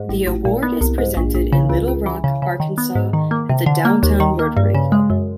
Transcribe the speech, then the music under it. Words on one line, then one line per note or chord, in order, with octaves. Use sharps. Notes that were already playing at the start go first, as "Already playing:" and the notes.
The award is presented in Little Rock, Arkansas at the Downtown Rotary Club.
Already playing: G#2
A1
A1
A#2
B3
C2
G#2
A#1
A#1
C#3
C#2
C#2
E3
C#3
C#3
D#3
B3
G#2
D#3
A#3
C3
D3
A#3
D#2
D#3
A#3
G2
C#3
G#3
F#2